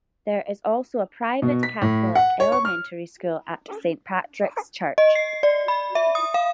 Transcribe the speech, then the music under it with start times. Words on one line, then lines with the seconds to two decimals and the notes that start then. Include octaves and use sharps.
There is also a private Catholic elementary school at Saint Patricks Church.
1.42 B2
1.63 B6
1.82 A2
2.15 F#5
2.40 C#5
2.52 C#6
2.65 F6
4.98 D#5
5.15 C7
5.43 D5
5.68 B5
5.95 E5
6.15 D#6
6.34 F5